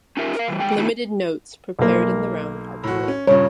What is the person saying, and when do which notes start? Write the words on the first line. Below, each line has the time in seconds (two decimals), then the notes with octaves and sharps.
Limited notes, prepared in the round, are permitted.
0.17 C#4 D#4 F4 G4 A#4 E5
0.35 A#4 F5
0.48 D#3 E3 G3
0.60 D#3 G3 G#3 C4 G#4 G5
0.77 D#3 B3 D#4 E4 F#4
1.79 B1 A#3
2.84 A2 F#4
3.08 C#4
3.27 G2 A#2 C#3 C#5